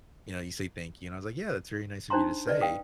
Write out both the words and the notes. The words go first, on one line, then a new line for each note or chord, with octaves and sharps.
you know, you say thank you. And I was like, "Yeah, that's very nice of you to say."
D4 D#4 C5 A5 A#5 C6
B4 D5 D#5
F5 G5 D#6